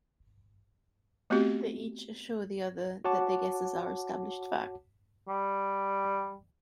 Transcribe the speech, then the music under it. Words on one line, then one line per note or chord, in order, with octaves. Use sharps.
They each assure the other that their guesses are established fact.
A3 B3 C4 F#4 G4
F#4 C#5 F#5 A5 D6
G3